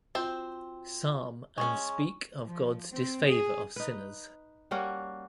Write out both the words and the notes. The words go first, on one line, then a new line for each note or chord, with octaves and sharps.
Psalm and speak of God's disfavor of sinners.
C4 F4 F#4 C5 G5
G#3 C#4 C#6
F3
C4
G#4
D#4 B4
G3 A#3 C#4 F#4